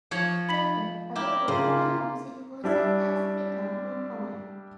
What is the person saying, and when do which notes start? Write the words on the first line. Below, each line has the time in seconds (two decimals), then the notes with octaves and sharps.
Later, other popular music also has become more common.
0.11 F3 C#5
0.49 B5 B6 F#7
1.15 E4 G4 A#4
1.48 C#3 A#3 F4
2.64 G3 D4 E4